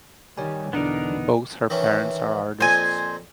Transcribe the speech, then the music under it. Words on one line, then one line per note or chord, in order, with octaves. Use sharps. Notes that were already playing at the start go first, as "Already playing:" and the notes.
Both her parents are artists.
D#3 G3 C#5 G#5
E2 B2 D3 E3 B3 D4 D#4 A#4
D#3 E3 C#4
F2 A#2 C5 G#5